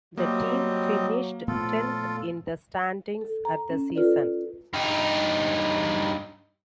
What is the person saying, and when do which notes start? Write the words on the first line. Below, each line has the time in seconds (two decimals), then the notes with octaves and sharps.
The team finished tenth in the standings at the season.
0.17 F#3 G3 A#3 C4 D#5
1.48 A#2 F3 A3 B3 F4 A4
3.21 A4
3.45 A#5
3.70 C#4
3.95 F4 A4 B4 D5
4.73 G2 D#4